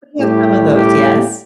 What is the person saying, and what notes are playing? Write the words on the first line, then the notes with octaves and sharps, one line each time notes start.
we have some of those. Yes.
A2 G3 G4
G4